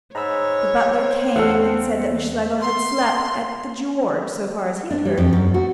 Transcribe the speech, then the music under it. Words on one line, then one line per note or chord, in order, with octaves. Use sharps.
The butler came, and said that Miss Schlegel had slept at the George, so far as he had heard.
G#2 C#5 A#5 B5 E6
C4
E2 C#4 A4 F5 F#5
C6
D4
G3
F2
F#2
F#4